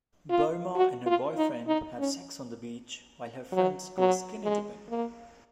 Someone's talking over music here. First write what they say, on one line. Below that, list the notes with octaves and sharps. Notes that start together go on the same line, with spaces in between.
Burma and her boyfriend have sex on the beach while her friends go skinny-dipping.
F4
F#4
F4
D#4
D#4
C#4
F#3
F#3
G#3
A#3